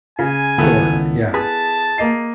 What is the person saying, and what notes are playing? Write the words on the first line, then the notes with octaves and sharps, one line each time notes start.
Sure. Yeah.
C#3 G#5
C#2 D#3 B3 E4 A4
G#4 B4 A5
A#3 D#5 C7